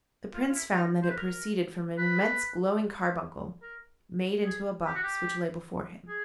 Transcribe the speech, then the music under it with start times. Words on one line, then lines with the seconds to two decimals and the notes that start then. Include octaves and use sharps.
The Prince found that it proceeded from an immense glowing carbuncle, made into a box, which lay before him.
0.34 F4
0.48 F4
0.55 E4
0.75 D#4
1.02 C5
1.10 B4
1.16 A#4
1.98 B4
3.62 A#4
4.44 G#4
4.86 G4
4.95 F#4
5.03 G4
6.08 G#4